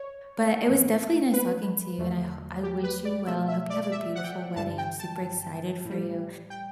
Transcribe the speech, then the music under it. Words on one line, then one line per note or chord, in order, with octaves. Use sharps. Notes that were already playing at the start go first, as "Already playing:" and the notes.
But it was definitely nice talking to you, and I ho I wish you well. I hope you have a beautiful wedding. I'm super excited for you.
Already playing: C#5
A2 E3 A3
B4
E2 D3 F#3 A3
G4
B4
D5
B2 F#3 A3 E5
E5
D5
D5
E5
F#5
G5
G2 D3 G3 A5
G5
A5
A2 G3
G5